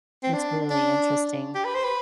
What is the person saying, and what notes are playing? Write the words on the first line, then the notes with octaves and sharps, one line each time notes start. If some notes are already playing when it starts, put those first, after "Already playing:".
It's really interesting.
C4
D4
D4
G4
B4
C5
B4